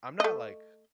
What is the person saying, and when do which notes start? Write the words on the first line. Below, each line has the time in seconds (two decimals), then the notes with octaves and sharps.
I'm not, like
0.20 A3 D#5